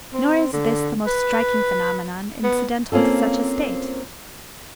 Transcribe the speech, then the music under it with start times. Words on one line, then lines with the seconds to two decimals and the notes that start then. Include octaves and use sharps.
Nor is this, the most striking phenomenon incidental to such a state.
0.13 C4
0.53 D3
1.07 B4
2.44 B3
2.92 A#3 C4 C#4 F4 A4